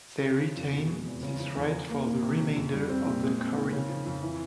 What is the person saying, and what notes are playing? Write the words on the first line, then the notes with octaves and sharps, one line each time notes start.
They retain this right for the remainder of their career.
C#3
F3
F2
B2
G#3
E2
C#3
F3
E2
F3
A#3
A#2
C3
F3
F2
G3
C4
A#2
G#3
C4
D#3
C#3
F3
F2
E3